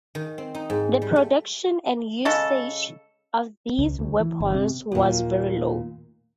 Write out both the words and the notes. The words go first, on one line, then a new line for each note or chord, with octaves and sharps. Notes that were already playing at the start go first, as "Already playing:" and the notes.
The production and usage of these weapons was very low.
D#3
C4
D#4
G#2
G3
A3
C#3 G#3 A4
C#2
D2
E3
G1
C3
D#2 A#2